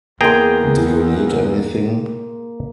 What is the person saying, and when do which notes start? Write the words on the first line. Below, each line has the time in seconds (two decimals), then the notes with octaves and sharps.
Do you need anything?
0.21 E2 A#3 G#4 G5 A#5 C6